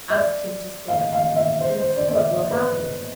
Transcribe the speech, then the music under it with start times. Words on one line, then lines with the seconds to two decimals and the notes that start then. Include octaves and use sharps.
Ask him to stamp, and see what will happen.
0.10 E5
0.16 D5
0.88 F5
1.13 F5
1.36 E5
1.61 C5
1.79 C5
1.96 D5
2.09 D5
2.15 E5
2.33 D5
2.51 B4